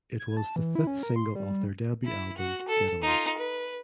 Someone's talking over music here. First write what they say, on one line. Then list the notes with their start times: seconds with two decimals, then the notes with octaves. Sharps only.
It was the fifth single off their debut album "Getaway".
0.19 G#6
0.37 A5
0.56 E3
0.75 E4
0.87 C#4
1.03 A#4
1.16 C6
1.35 G3
2.05 E4
2.37 F#4
2.68 A4
3.02 D#4 F4
3.38 B4